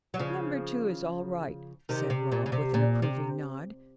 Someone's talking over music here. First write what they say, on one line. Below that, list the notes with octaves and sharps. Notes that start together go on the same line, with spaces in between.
"Number two is all right," said Rob, with an approving nod.
F#3
C#3 F3
C3 D#3
C3
A#2
C#3
C3
A#2
C3